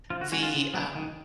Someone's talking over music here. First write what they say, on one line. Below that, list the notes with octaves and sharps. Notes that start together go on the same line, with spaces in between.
the, um,
F3 F4
F#4
G#3 C#4 F#4
F4
C#3
F#3 B3 D4
D#3